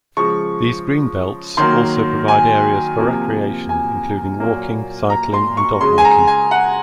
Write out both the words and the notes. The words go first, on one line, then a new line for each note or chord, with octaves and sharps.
These green belts also provide areas for recreation including walking, cycling and dog walking.
C#3 F3 G#3 C#6
D#3 F#3 A#3 C6
G#5
C3 F3 A#3
G#5
A#2 F#3 A#3
A#5
C6
C#6
C#3 G#3 C6
G#5
A#5
G#5
F#5